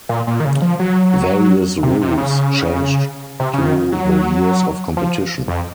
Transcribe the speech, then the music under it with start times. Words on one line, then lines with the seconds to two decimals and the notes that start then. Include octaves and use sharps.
Various rules changed through the years of competition.
0.09 A#2
0.27 A#2
0.40 D#3
0.45 C#3
0.62 F3
0.79 F#3
1.83 C3
2.01 C3
2.18 C#3
3.40 C3
3.53 C#3
3.65 D#3
3.92 F#3
4.97 F3
5.48 F2